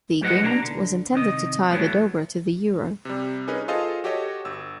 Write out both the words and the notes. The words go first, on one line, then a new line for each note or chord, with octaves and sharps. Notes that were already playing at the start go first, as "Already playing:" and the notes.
The agreement was intended to tie the dobra to the euro.
A2 F#3 G4 B4 D#5 F#5
B2 A#3 D4 F#5 A#5
D3
C2 D#3 D#5
A2 C#3 E3 F#3 A3 B3
C3 G3
C#4 D#4 G#4 A#4 B4
F4 G#4 A4 C5 D#5 F5
F#4 G4 A4 C#5 D#5
G1 E6